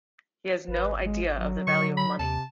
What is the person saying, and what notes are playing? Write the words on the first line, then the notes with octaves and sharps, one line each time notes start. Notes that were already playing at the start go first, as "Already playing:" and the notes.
He has no idea of the value of money.
G#1 B4
G#3
F#3
D3 C#6
B5
D#2 C3 A5